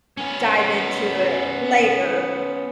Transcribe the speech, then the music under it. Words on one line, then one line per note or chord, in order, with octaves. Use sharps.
m dive into it later,
B3 C#4